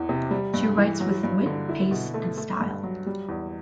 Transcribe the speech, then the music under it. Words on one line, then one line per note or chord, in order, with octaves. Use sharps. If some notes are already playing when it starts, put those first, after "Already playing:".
She writes with wit, pace and style.
Already playing: E2 E3
C3
G3
G2
E3
F#3
G2
D3
E4
B2
A3
A3
G2
F#3
G3
E2